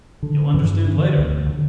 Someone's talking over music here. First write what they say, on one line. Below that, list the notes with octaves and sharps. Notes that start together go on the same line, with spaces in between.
You'll understand later....
D3
G2 E3
D3
D2
D3